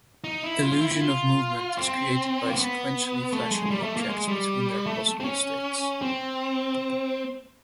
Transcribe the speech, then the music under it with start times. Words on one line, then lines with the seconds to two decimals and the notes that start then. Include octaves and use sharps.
Illusion of movement is created by sequentially flashing objects between their possible states.
0.24 D#4
0.43 E4
0.62 F4
0.72 F4
0.81 E4
0.92 E4
1.02 F4
1.78 C4
2.49 A#3
2.55 B3
3.33 A3
3.52 G#3
3.66 G#3
3.70 G3
3.83 A3
3.96 A#3
4.09 G#3
4.28 G3
4.86 A3
5.20 C4
5.24 C#4
6.02 C4